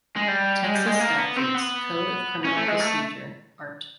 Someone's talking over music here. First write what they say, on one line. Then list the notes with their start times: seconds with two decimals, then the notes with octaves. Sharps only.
Texas Statutes, Code of Criminal Procedure, Art.
0.17 G#3
0.28 G3
0.64 G#3
0.75 G3
0.86 G#3
1.00 A#3
1.18 B3
1.36 C4
1.54 B3
2.45 C#4
2.56 A3
2.68 G#3
2.80 A3